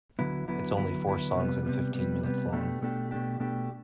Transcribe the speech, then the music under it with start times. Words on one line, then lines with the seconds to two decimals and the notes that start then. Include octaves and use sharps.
It's only four songs and fifteen minutes long.
0.19 D2 D3 F#3 B3 E4
0.48 D2 D3 F#3 B3 E4
0.77 D2 D3 F#3 B3 E4
1.06 D2 D3 F#3 B3 E4
1.35 C3 G3 B3
1.65 C3 G3 B3
1.94 C3 G3 B3
2.23 C3 G3 B3
2.52 B2 A3 D4 G4
2.81 B2 A3 D4 G4
3.11 B2 A3 D4 G4
3.40 B2 A3 D4 G4